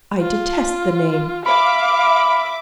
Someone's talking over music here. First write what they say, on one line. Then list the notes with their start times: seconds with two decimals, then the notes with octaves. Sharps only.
I detest the name!
0.21 F4
1.46 E5 F5 B5 D6